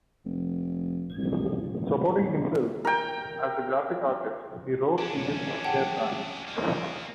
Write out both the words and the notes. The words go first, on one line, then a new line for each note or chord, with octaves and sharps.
Supporting himself as a graphic artist, he wrote in his spare time.
F1
C2
A#4 G5
C#4 D4
F#5 G5 A5
D#3 A#3